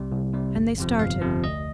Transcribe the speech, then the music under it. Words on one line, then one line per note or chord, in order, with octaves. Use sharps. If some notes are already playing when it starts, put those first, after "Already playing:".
And they started.
Already playing: C2 C3 G3
C2
C3 G3
G1
F2 C3 F3
G1 F5
F2 C3 F3
D2 D#5